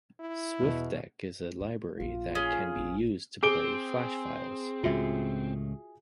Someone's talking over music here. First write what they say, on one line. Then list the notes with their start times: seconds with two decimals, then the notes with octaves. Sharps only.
Swfdec is a library that can be used to play Flash files.
0.20 E4
0.59 E2 B2
1.60 D#2
2.00 A#1 F4
2.35 C#4 G#4
2.76 A1
3.43 C4 G#4 D6 D7 G7
4.83 C#2 A2 F4 F#4 E5